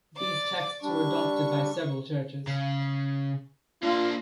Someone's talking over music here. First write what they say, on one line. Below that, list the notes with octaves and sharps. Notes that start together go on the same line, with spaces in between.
These texts were adopted by several churches.
D5 D6
G3 D4 C#6
C#3
A#3 D4 F4